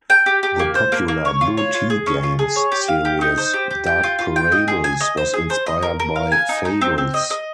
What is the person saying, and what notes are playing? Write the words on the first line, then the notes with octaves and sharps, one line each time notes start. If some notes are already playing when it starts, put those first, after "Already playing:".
The popular Blue Tea Games series "Dark Parables" was inspired by "Fables".
G5
G4
G4
A#3
C5
A#3
A#3
C#5
F4
C#5
F4
G#4
C#4
F4
G#4
C#5
G4
F5
G4
D#4
C5
G4
G4
G5
F4
F4
G5
D#5
G#4
G#5
D#5
C5
G#4
C5
D#5
A#4
A#4
F5
G#5
D#4
D#4
C4
C4
D#5
D#5